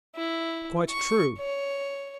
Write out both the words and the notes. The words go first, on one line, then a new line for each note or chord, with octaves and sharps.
Quite true!
E4
C#6
C#5